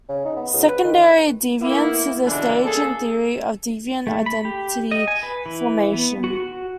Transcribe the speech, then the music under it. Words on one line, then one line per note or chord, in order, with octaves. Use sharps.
Secondary deviance is a stage in a theory of deviant identity formation.
C#3
D#4
B3
C#2
B4
D#3
A#3 B3 E4
C#2 B2 D3 E3 D4
A#3 C#4 G#4 A4
A3
B5
G4
D#5
G#5
B4
E3
B3
F#4
F#4